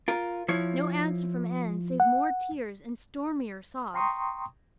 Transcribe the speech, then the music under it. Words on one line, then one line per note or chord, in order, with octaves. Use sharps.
No answer from Anne save more tears and stormier sobs!
F4 A#4
F3 E4 C#5
F#5
G5 A#5 C6 C#6 D#6